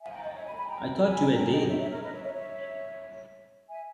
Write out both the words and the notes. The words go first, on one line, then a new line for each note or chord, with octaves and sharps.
I thought you were Dale!
E5 G#5
G5 A#5
D#5 G5
C#5 E5
G#5 B5
G#5 B5
G5 A#5
G#5 B5
G5 A#5
D#5 G5
C#5 E5
C#5 E5
A#4 C#5
B4 D#5
C#5 E5
C#5 E5
C#5 E5
E5 G#5